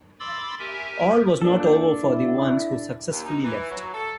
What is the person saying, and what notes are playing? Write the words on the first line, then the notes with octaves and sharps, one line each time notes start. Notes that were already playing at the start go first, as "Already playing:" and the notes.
All was not over for the ones who successfully left.
B5 C6 D6 E6 A6
G4 A#4 E5 G#5
A#2 D4 A4
E4
D#2
D#4
E3
F#3
A4